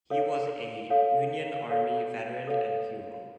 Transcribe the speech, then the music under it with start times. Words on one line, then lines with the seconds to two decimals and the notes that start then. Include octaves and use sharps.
He was a Union army veteran and hero.
0.10 A4 C#5 F5
0.90 A4 C#5 F5
1.69 A4 C#5 F5
2.47 A4 C#5 F5